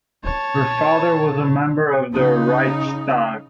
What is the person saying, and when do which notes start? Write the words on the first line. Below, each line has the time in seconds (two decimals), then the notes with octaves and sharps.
Her father was a member of the Reichstag.
0.24 C#5 A5
2.13 C#3 D#4